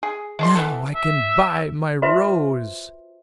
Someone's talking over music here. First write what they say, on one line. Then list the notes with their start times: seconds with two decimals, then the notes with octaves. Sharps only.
"Now I can buy my rose!"
0.03 G#4
0.39 G#3 D4 C6
0.55 E3 B3 A4
0.95 E5
2.02 F4 F#4 B4 C5 E5